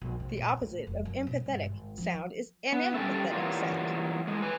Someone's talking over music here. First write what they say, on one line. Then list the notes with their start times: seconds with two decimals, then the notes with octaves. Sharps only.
The opposite of empathetic sound is anempathetic sound.
0.02 A#1
0.20 C3
0.37 A#2
0.62 A2
0.87 F1
1.05 F#2
1.27 B2
1.46 G2
1.63 G#1
1.98 F3
2.72 B3
2.94 G3 C#4 G4 A4 E5
3.32 E3 F#3 G3 A#3 F4
4.27 A2 G#3
4.42 B4 G#5